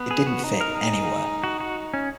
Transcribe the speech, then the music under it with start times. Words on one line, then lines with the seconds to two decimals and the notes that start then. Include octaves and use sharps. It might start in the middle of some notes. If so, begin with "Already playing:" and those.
I didn't fit anywhere.
Already playing: B3
0.11 G#4
0.27 F#4
0.44 D#4
0.61 A#4
0.77 G#4
1.44 F#4
1.60 F#4
1.94 C#4